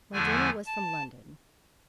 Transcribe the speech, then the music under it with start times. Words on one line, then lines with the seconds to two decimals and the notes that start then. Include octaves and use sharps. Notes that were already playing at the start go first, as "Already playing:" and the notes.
My journey was from London.
0.12 E2 D3 F3 A3 E4 G#5
0.66 A5